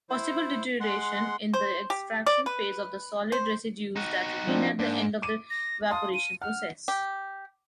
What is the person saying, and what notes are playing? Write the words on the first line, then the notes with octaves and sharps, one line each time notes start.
Possible deterioration in the extraction phase of the solid residues that remain at the end of the evaporation process.
E4 C5
G#3 F#5 C6
C5
G4
D5
B4
C5
D#4 F#4 A#5
F3 C4 D4
G#2 A#3 D4
D6 D#7
A#6
F5 A5 C6 D#6
D#7
F#5 F6
G4